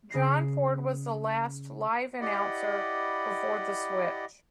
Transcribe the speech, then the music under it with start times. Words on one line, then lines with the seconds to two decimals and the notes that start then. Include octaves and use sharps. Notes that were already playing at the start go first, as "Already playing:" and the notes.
John Ford was the last live announcer before the switch.
0.10 C#3 A#6 C7
2.20 E4 G4 D5 D#5 F#5 B5